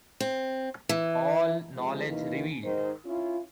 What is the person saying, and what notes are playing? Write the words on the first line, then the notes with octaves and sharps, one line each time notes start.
All Knowledge Revealed.
C4
E3
C3 F3 G#3
D#2 D#3 E3
G#2 D#3 D#4 C5
C#4 E4 F4